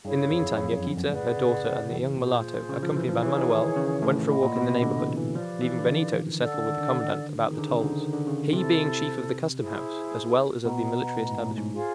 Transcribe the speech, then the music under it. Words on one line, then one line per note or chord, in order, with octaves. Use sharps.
In the meantime Yaquita, her daughter, and the young mulatto, accompanied by Manoel, went for a walk in the neighborhood, leaving Benito to settle with the commandant about the tolls--he being chief of the custom-house as well as of the military establishment.
G2 E4 G#4 C#5 F5
F2
F#2
F2
F#2
F2
F#2
A2 G#4 B4 D5 F#5
C#3
C3
E3
A#2 F4 G#4 C5
C#3
F3
E3
F3
E3 D#4 G#4 C#5
E3
D#3
C#3
A2
A2 C5 D#5 F#5 B5
A#2
B2
C3
D3
E3
E3
F3 G4 B4 D5 F5
E3
D3
D#3
D3 A4 D5 F#5
D3
D#3
D3
D#3 D#4 G#4 C5
D3
C#3
D3
D#3
D3
C#3
C3 E4 A4 C5
E4 G#4 C5
B2 B4 D#5 F#5 A#5
A2
G#2
A2
G#2
F4 G#4 C5 F5